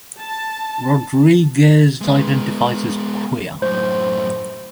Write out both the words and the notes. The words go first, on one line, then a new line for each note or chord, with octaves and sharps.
Rodriguez identifies as queer.
A5
G#3 B3
F#2 A2 C5